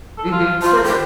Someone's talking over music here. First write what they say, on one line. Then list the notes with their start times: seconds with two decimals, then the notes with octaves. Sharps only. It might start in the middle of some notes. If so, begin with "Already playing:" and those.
Mhm. For sure.
0.18 A4
0.32 F4
0.62 F4 C5 A5 C6
0.84 F4 G5